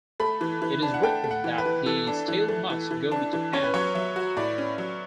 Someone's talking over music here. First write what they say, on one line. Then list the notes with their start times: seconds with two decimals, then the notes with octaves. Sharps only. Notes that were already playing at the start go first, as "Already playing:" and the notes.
It is written that he still must go to Japan.
0.20 A3 B5
0.41 E3
0.62 E3
0.82 D4
0.94 F#5
1.03 A3 G5
1.24 A3
1.31 F#5
1.44 E3
1.58 B4
1.66 E3
1.86 E3 A4
2.07 D4
2.28 E3
2.48 A3
2.70 E3
2.91 E3
3.11 D4
3.33 E3
3.53 C#4 C#5
3.64 B4
3.74 F#3 C#5
3.95 F#3 E5
4.16 F#4
4.37 A2 D5
4.58 C#4
4.78 F#3